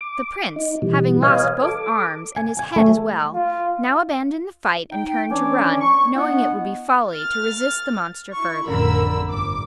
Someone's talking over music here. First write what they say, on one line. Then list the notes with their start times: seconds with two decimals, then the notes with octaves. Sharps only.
The Prince, having lost both arms, and his head as well, now abandoned the fight and turned to run, knowing it would be folly to resist the monster further.
0.01 D6
0.56 D#4
0.82 B2 E3 G3
1.23 B4 C#5 D#5 F5 G#5
1.63 A4 D6
2.36 G#5
2.59 G#5
2.76 A3
3.34 F4
4.91 D#4 G5
5.30 E3 C#4 D4 C#5 D5 D6
5.80 C#6
6.15 B3 D4 E4 D#5 F#5
7.10 F6 A6
8.34 E4 C#6
8.67 A1 F2 D3 A#4 B5 E6
9.30 G1 D6